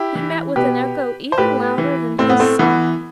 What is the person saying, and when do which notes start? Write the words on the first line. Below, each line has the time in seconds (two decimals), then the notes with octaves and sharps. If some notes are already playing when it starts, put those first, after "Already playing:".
He met with an echo even louder than his sigh.
Already playing: E4 G4
0.15 E3
0.56 B2 G4 B4
1.32 C5
1.38 A2 G4 B4
1.78 E3
2.18 A2 C4
2.29 B3
2.40 A3 C4
2.59 E3 B3